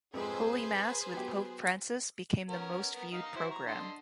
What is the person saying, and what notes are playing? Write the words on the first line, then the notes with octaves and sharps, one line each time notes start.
Holy Mass with Pope Francis became the most viewed program.
F2 G#2 G#3 G#4 B4 C5
F#3 B3 G4
B3 C#4 A#4
B3 A#4
D#4 D#5 F5
E4 F#4 C5
A#5 C#6
D3 D#5 C6